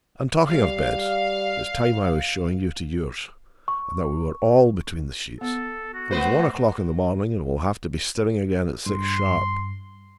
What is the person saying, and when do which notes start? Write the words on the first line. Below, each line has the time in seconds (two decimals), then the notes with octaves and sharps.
And talking of beds, it's time I was showing you to yours, and that we were all between the sheets, for it's one o'clock in the morning, and we'll have to be stirring again at six sharp.
0.50 G3 F5
3.68 C#6
5.41 B3 A4
5.94 F#4
6.11 A3 B3 B4 C5
8.86 G2 C6